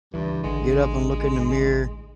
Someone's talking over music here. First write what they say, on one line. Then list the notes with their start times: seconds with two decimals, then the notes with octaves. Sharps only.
get up and look in the mirror,
0.14 C#2 G2 E3
0.44 A1 D3 G#3